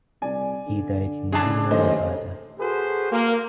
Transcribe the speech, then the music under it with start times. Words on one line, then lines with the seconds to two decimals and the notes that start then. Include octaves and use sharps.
He died in Reno, Nevada.
0.22 C2 D5 G#5
0.67 D3
1.32 C#3 D4 E4 G#4 A5
1.71 F#1 D#2 A3 C5 D#5
2.59 F#4 G#4 A4 B4 C5
3.12 A#3